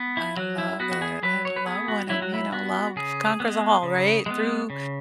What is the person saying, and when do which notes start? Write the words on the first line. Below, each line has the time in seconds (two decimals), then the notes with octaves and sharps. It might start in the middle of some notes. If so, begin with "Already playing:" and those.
I love it, I love when it you know, love conquers all, right? Through
Already playing: B3
0.17 E4
0.36 F#3 F#4
0.58 E4
0.80 B3 F#4
0.92 F#4
1.02 G#4
1.23 F#3 B4
1.45 C#5
1.56 B4
1.66 B3 G#4
1.88 F#4
2.09 F#3 E4
2.22 F#4
2.34 E4
2.53 B3 F#4
2.96 C#3 G#4
3.40 G#3 B3
3.83 C#3
4.26 G#3 B3
4.70 C#3